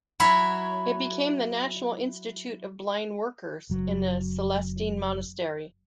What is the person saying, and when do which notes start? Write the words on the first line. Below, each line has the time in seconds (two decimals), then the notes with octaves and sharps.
It became the National Institute of blind workers in a Celestine monastery.
0.20 F#3 E4 C#5 B5
3.70 F#1 F#3